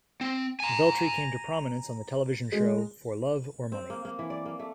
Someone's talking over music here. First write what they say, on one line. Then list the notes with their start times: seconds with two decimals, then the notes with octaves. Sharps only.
Veltri came to prominence on the television show, "For Love or Money".
0.21 C4
0.60 G#5 A#5
2.52 G#3
3.72 C4
3.90 A#3
4.05 A#3
4.19 E3
4.30 D5
4.45 A#3
4.59 A3